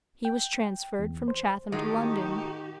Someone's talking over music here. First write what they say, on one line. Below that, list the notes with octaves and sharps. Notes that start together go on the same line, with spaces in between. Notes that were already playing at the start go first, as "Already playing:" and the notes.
He was transferred from Chatham to London.
G5
E2
C5
A2 D#3 G#3 D#4 F#4 G4